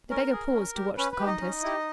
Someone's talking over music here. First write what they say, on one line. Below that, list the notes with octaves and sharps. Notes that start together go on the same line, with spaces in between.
The beggar paused to watch the contest.
C#4 A#4
G#4
C#4
G4
C#4 B4
B4
G4
D#4 D#5
C#4
E4 G4